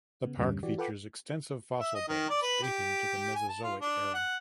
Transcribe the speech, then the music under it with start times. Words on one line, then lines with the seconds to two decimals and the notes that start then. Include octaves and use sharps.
The park features extensive fossil beds dating to the Mesozoic era.
0.24 C#3 B3
0.37 E2 G2 A#2 D3 G3 C#4
0.63 E3 F#4 G4 D5
0.78 F4 A4 B4 F#5 G5 D6
1.80 E5
1.95 D#5
2.08 D#3
2.30 D5
2.43 B4
2.63 G4
3.36 G#5
3.49 A5
3.63 F4
3.81 D4
4.14 F#5